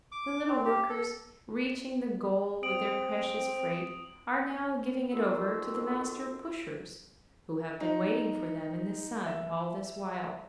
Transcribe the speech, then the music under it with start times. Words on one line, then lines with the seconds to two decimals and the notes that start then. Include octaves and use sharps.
The little workers, reaching the goal with their precious freight, are now giving it over to the Master Pushers, who have been waiting for them in the sun all this while.
0.12 D6
0.49 C4
0.65 G4
0.89 A4
2.63 C4 D#6 D7 F#7
5.13 F2 D#3 F#4 A#4 C6 E6
7.81 D#4
9.26 E5